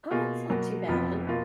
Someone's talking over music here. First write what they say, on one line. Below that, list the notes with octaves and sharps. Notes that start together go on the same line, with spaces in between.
Oh, that's not too bad.
B2 A#3 F4 G#4
B2 F#3 A#3
F1 F2 F3 B3 F4
B2 A#3 F4